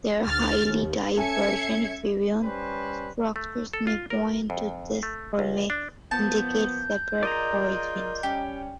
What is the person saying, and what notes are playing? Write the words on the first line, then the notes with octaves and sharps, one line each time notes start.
Their highly divergent virion structures may point to this or may indicate separate origins.
D2 F6 A6
D#2
C#4 A4 E5 G#5 G#6 C#7
G3 C#4 B4 C5
A3
A4
F4
A#4
F2
A3
C#2
D4
F3 A#3 B3 A5 G6
F4 G#4 A#4 D5 D#5 A#5
G3 C#4 G4